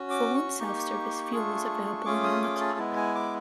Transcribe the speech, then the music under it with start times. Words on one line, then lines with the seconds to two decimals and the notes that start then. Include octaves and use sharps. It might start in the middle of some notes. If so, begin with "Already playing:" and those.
Full and self-service fuel is available around the clock.
Already playing: C#4 F#4
0.10 D6
0.35 C#6
0.59 A#3 D#4 G4
1.32 A3 D4 F4 G#4
2.05 A3 C#4 F4 G#4 D6
2.24 D#6
2.42 D6
2.61 A5
2.78 G#3 B3 E4
2.97 G#5
3.15 D6